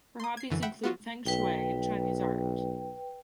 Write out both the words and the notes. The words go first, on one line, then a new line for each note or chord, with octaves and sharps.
Her hobbies include Feng Shui and Chinese art.
C6 D#6
G#6 C7
F#2 D3 E3
E5 F#5 G5 B5
B3 F4 F#4
B1 B4 G5